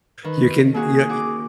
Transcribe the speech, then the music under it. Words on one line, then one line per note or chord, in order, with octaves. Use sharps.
you can, you know y
D#3 B4
A#3 F#4 G#4
F#4 D6